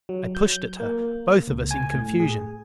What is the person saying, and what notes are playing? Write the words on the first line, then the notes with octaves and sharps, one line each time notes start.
I pushed at her, both of us in confusion.
F#3
G6
A#3
C#2
G#5
A2
G#4